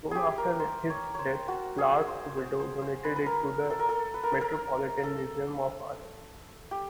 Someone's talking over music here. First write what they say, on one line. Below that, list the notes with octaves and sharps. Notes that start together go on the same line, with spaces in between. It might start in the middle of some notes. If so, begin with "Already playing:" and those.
Soon after his death, Clark's widow donated it to the Metropolitan Museum of Art.
G4 G#4
A#4
C5
C#5
C5 C#5
F#4
G#4
C5
C5
C5
C5
B4
B4
A#4
A4
A#4
A4
B4
A#4
A4
A#4
A4
G4